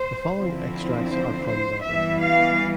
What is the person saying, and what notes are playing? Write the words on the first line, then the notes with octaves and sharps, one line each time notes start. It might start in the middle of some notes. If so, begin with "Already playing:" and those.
The following extracts are from that letter.
Already playing: C5
D3 F3 C4 E4
C5
C5
E3 G3 B3 E5
F5